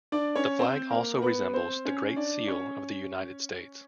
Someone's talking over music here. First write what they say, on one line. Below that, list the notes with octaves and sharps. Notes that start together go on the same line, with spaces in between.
The flag also resembles the Great Seal of the United States.
D4 D5
C#4 C#5
C4 C5
A#3 A#4
A#4
B3 B4
C4 C5
C#4 C#5
D4 D5
C#4 C#5